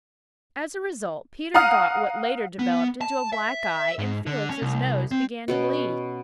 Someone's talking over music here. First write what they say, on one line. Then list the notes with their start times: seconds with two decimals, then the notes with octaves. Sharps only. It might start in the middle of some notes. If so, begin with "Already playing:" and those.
As a result, Peter got what later developed into a black eye, and Felix's nose began to bleed.
1.54 F5 F#5 A#5 D#6 F6
2.59 B3
3.01 A5
3.33 E5
3.99 G#2
4.27 D3
4.50 C#4
4.62 C2
5.11 C4
5.48 B2 B3 C#4